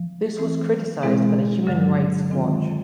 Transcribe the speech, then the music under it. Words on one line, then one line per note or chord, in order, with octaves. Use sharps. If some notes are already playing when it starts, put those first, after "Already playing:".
This was criticized by the Human Rights Watch.
Already playing: F3
E3 A3 C4 E4 A4
B2 G#3 C4 E4 G#4
G2 D3 F#3
D#3 G#3 C4 F4